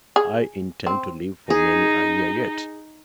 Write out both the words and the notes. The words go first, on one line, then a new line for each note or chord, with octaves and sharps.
"I intend to live for many a year yet."
G#4
C4
D#4 G#4